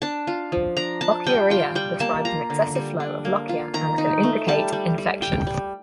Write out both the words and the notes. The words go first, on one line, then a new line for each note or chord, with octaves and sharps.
Lochiorrhea describes an excessive flow of lochia and can indicate infection.
D4 A5
F4
F3
D4 A#5
D4 A5
G3 G5
F4 G5
G3 G5
A#3 A5
F4 A#5
D3
G3
D4
A#3
F4
D#3 A#5
D#4
A3
G3 A5
G3
G3
G3 G5
G3